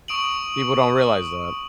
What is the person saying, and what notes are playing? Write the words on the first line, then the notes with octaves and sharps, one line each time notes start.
People don't realize that.
C#6 D#6 D7 D#7 F#7